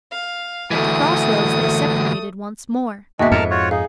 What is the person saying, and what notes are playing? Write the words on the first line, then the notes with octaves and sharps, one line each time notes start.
At the cross roads they separated once more.
F5
D2 E3 A3 D#6
D#2 B2 G#3 A#3 F#4 D#5 E5
F2 G#2 A#4 A5 F6 C#7
F4 F#4 C#5
D#4 G#4 F5